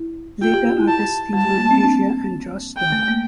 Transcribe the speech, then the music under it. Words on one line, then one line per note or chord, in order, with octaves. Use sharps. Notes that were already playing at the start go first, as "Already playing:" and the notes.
Later artists include Asia and Joss Stone.
Already playing: E4
F4 G5
G4
F4
E4
A5
G3 A5
A3
A#3
C4
D4
G5
A3
A#3